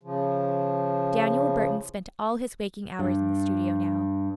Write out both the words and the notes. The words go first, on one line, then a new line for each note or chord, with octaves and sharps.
Daniel Burton spent all his waking hours in the studio now.
C#3 F3
G2